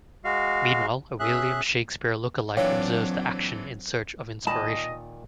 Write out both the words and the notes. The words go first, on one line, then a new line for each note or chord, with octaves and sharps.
Meanwhile, a William Shakespeare look-alike observes the action in search of inspiration.
G#3 F#4 F5
C#4 G#4 E5 F#6
A#2 E3 F#3 C4 D4 C#5 F5 G5
A#2 D#3 D#5 A5 B5